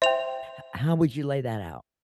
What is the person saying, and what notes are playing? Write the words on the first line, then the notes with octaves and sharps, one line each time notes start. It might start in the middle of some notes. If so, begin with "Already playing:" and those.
H how would you lay that out?
C5 E5 G5 F7